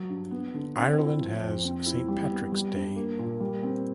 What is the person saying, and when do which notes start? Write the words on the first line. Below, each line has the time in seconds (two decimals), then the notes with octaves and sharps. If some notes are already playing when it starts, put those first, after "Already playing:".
Ireland has Saint Patrick's Day.
Already playing: F#3
0.09 G2
0.31 B3
0.54 D3
0.76 C4
0.98 E4
1.20 F3
1.42 F2
1.64 C4
1.86 E4
2.08 G3
2.30 B3
2.52 G3
2.75 G2
2.96 A#3
3.19 A#2
3.40 G3
3.63 C4